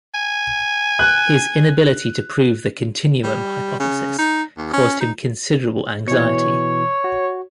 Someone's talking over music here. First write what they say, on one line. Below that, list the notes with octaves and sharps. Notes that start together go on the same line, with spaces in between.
His inability to prove the continuum hypothesis caused him considerable anxiety.
G#5
F#6
G3
C#3
D#4
D#2
C#4
D#4
B2 E3 C#5
F#4